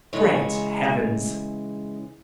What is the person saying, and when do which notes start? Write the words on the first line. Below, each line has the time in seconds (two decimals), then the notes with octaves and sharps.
Great heavens!
0.13 C#3 E3 G#3 C#5